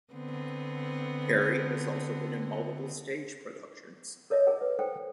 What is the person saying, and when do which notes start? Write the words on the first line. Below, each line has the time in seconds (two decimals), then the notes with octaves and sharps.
Perry has also been in multiple stage productions.
0.14 D3 B3 C4
4.30 A4 A#4 C#5 D#5 E5
4.47 G#4 A#4 F#5
4.61 B4
4.79 A4 C5 F#5 G5